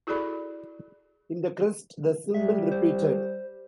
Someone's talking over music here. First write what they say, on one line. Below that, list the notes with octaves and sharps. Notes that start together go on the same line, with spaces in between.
In the crest the symbol repeated.
E4 F#4 G#4 A4 D5 B5
G3 E5
C5